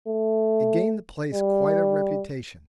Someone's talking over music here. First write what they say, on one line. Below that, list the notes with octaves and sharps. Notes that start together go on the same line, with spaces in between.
It gained the place quite a reputation.
A3
G3